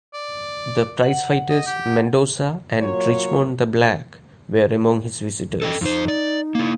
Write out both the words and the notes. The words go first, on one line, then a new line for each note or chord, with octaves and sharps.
The prize-fighters Mendoza and Richmond the Black were among his visitors.
D5
F#5
D#5
G4
F#3 A#3 F4 C#5
A4 D#5 G5
F2 D#4 C5
D5
A#3 E4